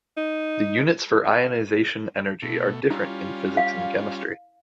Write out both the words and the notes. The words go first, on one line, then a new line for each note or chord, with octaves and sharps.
The units for ionization energy are different in physics and chemistry.
D#4
B2 A3
G3 C#4 E4 F4
F5